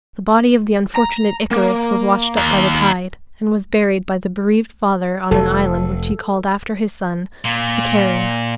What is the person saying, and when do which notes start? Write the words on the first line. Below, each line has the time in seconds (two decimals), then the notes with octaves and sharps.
The body of the unfortunate Icarus was washed up by the tide, and was buried by the bereaved father on an island which he called after his son, Icaria.
0.96 A#5
1.51 A#3
2.37 D#2
5.31 F1 A4
7.45 A#2